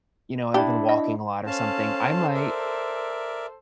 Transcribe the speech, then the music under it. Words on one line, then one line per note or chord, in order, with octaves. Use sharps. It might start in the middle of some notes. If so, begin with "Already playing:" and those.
you know, I've been walking a lot or something, I might,
D4 E4 G4
D#5
C#4 A4 C5 F5 A5
A#4 D5 E5